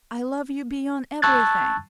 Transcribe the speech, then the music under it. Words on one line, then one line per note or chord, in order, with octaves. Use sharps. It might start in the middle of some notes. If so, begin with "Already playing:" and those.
I love you beyond everything....
A5 C#6 E6 F#6 G#6 A6